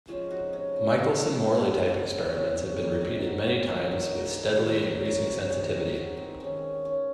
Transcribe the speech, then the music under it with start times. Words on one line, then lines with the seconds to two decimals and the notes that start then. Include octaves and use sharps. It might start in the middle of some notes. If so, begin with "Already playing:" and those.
Michelson-Morley type experiments have been repeated many times with steadily increasing sensitivity.
0.07 C3 F3 G#3 C#4 F4
0.31 D#4 F#4
0.53 C#4
0.76 C#4
0.98 C#3 F#3 A#3 C4
1.21 C#4
1.44 C4 D#4
1.66 C#4
1.88 C#3 F#3 A#3 C4
2.12 C4
2.26 C#4
2.33 C4
2.56 C#4
2.78 D#3 A#3 C#4
3.01 C4 D#4
3.23 F#4 A#4
3.38 F#4
3.46 C#4 F4
3.69 D#3 A#3 C#4 F4
3.91 D#4 F#4
4.14 F#4 A#4
4.37 G#4 C5
4.59 D#3 G#3 A#4 C#5
4.83 A#4 C#5
5.05 A#4 C#5
5.27 G#4 C5
5.41 C#5
5.49 C3 D#3 G#3 G#4 C5
5.73 A#4 C#5
5.95 F#4 A#4
6.17 C4 D#4
6.40 D#3 G#3 C#4
6.85 C#4